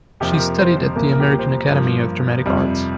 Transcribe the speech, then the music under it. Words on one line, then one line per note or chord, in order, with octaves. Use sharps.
She studied at the American Academy of Dramatic Arts.
F2 C3 F3 A#3 G4
G4
A#4
C5
C5
C2 A#2 F3 A#3 A#4
A#4
G4
C5
A#4
G2 F3 A#3
F2 C3 G3